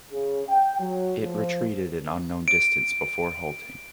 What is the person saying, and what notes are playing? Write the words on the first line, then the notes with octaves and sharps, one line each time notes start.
It retreated an unknown distance before halting.
C#3
G5
F#3
F3
D7